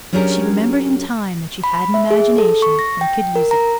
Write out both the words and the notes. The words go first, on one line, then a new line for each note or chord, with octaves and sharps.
But she remembered in time that she had an imagination and could use it.
F#3 C#4 D4 G4 G#4 A#4
B5
E5
G#4
A4
C#6
A#6
G5
A#4
A#5